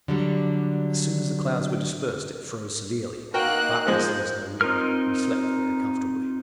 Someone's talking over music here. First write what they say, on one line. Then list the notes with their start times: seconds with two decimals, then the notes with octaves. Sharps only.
As soon as the clouds were dispersed it froze severely; but as there was no wind, we slept very comfortably.
0.08 D3 F#3 G3
3.34 A#3 D#4 F#4 A#4 G5 F#6
3.87 F3 G#3 C5
4.61 C4 D#4 F4 A#4 F6